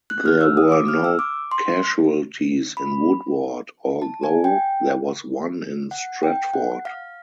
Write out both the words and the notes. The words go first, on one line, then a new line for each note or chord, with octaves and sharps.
There were no casualties in Woodward, although there was one in Stratford.
F#6
F6
E6
D#6
D6
F6
E6
D6
C6
B5
A5
G#5
G5
F#5
G5
F#5
F5